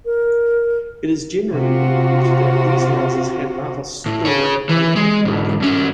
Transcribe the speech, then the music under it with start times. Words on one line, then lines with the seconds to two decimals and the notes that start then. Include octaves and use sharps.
It is generally believed that these houses had an upper story made of wood.
0.05 A#4
1.51 C3 F4 F#4
4.06 A2
4.25 G#4 C#5
4.69 E3
4.96 G#3
5.25 B1 G#2
5.60 G2 C#4